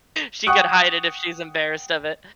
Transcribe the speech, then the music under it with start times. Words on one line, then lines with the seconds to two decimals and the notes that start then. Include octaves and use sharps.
she could hide it if she's embarrassed of it.
0.47 F#5 G5 C#6 D#6 F#6